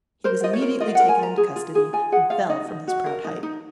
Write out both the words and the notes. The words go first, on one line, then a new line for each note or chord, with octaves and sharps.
He was immediately taken into custody and fell from his proud height.
A#4 C5
F4 D#5
C#5
A#4
F4 D#5
F5
A#4 F#5
G#5
F4 A#5
G#4
F4
G#4
F4 G#5
G#4 F#5
F4 F5
D#4 D#5
D#4
F#4
A#4
D#4
D#4